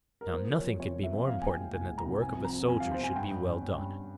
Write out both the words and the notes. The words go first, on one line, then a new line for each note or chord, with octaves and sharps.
Now nothing can be more important than that the work of a soldier should be well done.
A#4
A#3 C5
F3
C#5
F3
C3 C#5
F3
E5
C3
F3 F5
A#2 G#5
G5
G#3
C2 G#5
G#3
A#5
C2
C3 G#5
F2
A#5
F2
F2 G#5
F5
G3
C5
C3 G#5
G2 G5
G2
C#4
C#4
G2